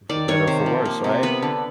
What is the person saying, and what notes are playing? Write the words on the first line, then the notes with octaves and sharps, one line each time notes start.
For better or for worse, right.
D#3 D5
D#3 C#5
C3 C5
F3
A#3
C3
B3 B4
D3